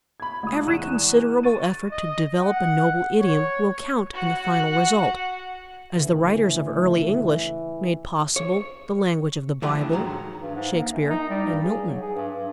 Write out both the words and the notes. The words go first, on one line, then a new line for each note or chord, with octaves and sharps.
Every considerable effort to develop a noble idiom will count in the final result, as the writers of early English made possible the language of the Bible, Shakespeare, and Milton.
B5 G#6
C#2 D#6
E2 C#6 F#6 D#7 E7
C#6 A6 D#7
D#5
F#5
C#5
F#4 F#5
D2 A2 C#3 E3
C#5
D3 E3 F3 A3 D4 G4
G#2 D#3 F#3
G2
G#2
A#3
F#2
D#4
G3
G2
G#4
F#3
G#4
G2
G2